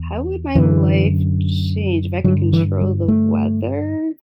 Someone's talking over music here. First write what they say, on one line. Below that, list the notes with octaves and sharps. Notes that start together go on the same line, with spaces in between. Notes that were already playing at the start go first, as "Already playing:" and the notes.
How would my life change if I could control the weather
Already playing: E2
F#2 D3 E3
G2 D3 F#3
E3
G3
A3